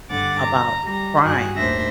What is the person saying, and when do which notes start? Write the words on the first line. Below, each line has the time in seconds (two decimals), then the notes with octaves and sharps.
about crying,
0.10 G2 D3 F#5 D6 A6
0.40 A#5
0.86 G3 A#5
1.24 G2 F#4 G#4 F#6
1.56 D#2 A2 D4 C5 E5 A#6